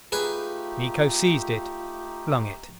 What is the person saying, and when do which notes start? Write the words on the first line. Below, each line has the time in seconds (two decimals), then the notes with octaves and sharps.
Miko seized it: flung it.
0.12 A3 D#4 F4 G4 G#4 B4